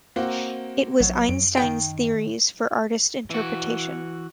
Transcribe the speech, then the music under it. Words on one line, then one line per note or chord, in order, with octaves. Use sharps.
It was Einstein theories for artist interpretation.
A#3 C4 F#4
A#1 F#3
F#2 D7
D#3 D#5 G5
E3 F#4